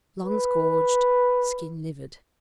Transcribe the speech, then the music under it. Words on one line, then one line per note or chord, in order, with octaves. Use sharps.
Lungs gorged, skin livid.
B4